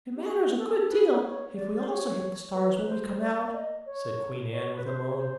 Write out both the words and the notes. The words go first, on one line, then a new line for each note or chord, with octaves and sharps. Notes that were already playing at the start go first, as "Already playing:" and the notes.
"It matters a good deal, if we also hit the stars when we come out," said Queen Ann, with a moan.
G4
F#4
A4
G#4
A4
B4
C#5
D5
C5
C#5
B4
C5
D5
D5
D#5
C#5
C#5
B4
C5
C#5
C5